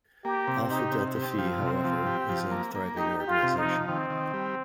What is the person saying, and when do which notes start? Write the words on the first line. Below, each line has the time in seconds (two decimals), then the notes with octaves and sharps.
Alpha Delta Phi, however, is a thriving organization.
0.25 A#3 G4
0.48 C3
0.70 D#4 G4
0.92 C3
1.15 C4 G4
1.38 F3
1.61 C3
1.84 F3
2.07 G4
2.29 F3
2.51 A#3
2.75 A#3
2.97 D#4 G4
3.20 G4
3.27 F4
3.43 C3
3.58 D#4
3.65 F3
3.87 D#3 C4
4.10 D#3
4.34 G3